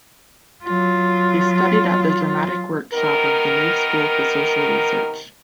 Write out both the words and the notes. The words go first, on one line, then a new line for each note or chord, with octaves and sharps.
He studied at the Dramatic Workshop of the New School for Social Research.
F#3 F4
C3 D#3 B3 A#4